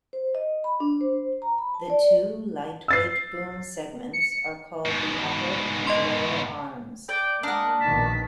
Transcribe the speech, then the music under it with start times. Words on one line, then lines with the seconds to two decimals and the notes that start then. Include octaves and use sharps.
The two lightweight boom segments are called the upper and lower arms.
0.13 C5
0.35 D#5
0.64 B5
0.80 D4
1.01 C5
1.42 A#5
1.58 B5
1.74 A5
1.90 D5
2.88 E6 A6 C7
4.13 C#7
4.86 G#2 B2
5.87 D#5 C6
7.09 D5 G5
7.43 G#3 A#3 D4 A#4 F#5 D#6
7.80 A#1 B2 D#3 A5 B6